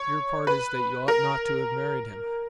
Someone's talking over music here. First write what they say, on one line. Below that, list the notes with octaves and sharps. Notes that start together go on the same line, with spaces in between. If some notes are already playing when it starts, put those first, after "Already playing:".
Your part is that you ought not to have married him.
Already playing: C#5
B4
A#4